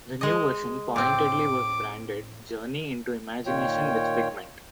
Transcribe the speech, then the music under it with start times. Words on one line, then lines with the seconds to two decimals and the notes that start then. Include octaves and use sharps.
The new version pointedly was branded Journey Into Imagination with Figment.
0.21 G#3 D#5
0.96 A2 C4 D6
3.46 A#2 D#3 F4 C#5 G5